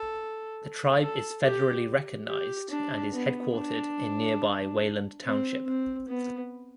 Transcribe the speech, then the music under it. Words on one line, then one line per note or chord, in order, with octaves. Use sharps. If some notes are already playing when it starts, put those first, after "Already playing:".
The tribe is federally recognized and is headquartered in nearby Wayland Township.
Already playing: A4
A4
G4
G4
D4
B3
D4
C4
C4
B3